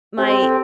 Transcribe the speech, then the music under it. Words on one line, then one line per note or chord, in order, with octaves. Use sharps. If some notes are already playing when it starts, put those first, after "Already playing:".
the My
C4 G4
G4
A4